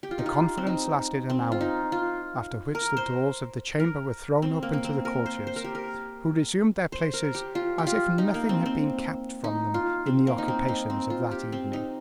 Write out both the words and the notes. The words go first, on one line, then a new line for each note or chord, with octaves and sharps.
The conference lasted an hour; after which the doors of the chamber were thrown open to the courtiers, who resumed their places as if nothing had been kept from them in the occupations of that evening.
G4
F4
D#4
F4
C4
D#4
C4
F4
D#4
F4
A#4
C5
A#4
C4
A#3
A#3
C4
A#4
C5
C5
A#4
G4
A#4
C5
A#4
G4
F4
G4
F4
D#4
A#3
C4
C4
D#4
F4
C4
A#3
D#4
C4
D#4
C4
F4
G4
C4
D#4